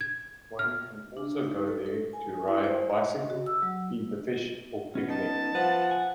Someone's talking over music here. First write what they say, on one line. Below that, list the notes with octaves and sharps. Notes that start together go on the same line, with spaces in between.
One can also go there to ride a bicycle, feed the fish or picnic.
G#6
F6
D4
D#4
A4
A4
G#5
E4
C5
D#5
F#4
E6
F#3
G3 B3 C#4
D#4 A5
F3 B4 F#5
G#5